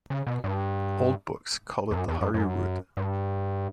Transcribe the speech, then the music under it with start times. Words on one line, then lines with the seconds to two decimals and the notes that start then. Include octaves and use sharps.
Old books call it the Hari Rud.
0.10 C#3
0.27 B2
0.44 G2
1.91 E2
1.96 F#2
2.08 E2
2.21 F#2
2.34 F#2
2.97 G2